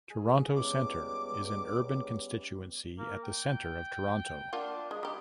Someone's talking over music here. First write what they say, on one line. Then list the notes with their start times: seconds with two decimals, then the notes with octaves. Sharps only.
Toronto Centre is an urban constituency at the centre of Toronto.
0.10 G#4
0.56 C#2 G3 B3 C#4 D6
2.98 A#3
3.24 G5
4.53 A#3 D4 F4 F#5
4.91 G#3 D#5
5.03 G3 D#4 G4